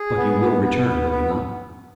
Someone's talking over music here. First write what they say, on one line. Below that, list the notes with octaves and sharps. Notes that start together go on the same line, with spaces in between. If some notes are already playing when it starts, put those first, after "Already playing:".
"But you will return, will you not?"
Already playing: G#4
B3
B3
B3
B3
B3